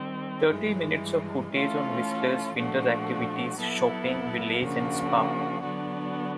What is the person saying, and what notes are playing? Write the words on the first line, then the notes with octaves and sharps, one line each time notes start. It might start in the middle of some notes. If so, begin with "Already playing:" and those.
Thirty minutes of footage on Whistler's winter activities, shopping, Village and spa.
Already playing: D#3 G3 C4
G2 E3 G#3
E3 A3 C#4 F4 A4
A#2 F3 A3 D4 F#4
F#3 B3 E4 A4
C#3 F3 A#3 D4 F#4
D3 F#3 B3 D4 F#4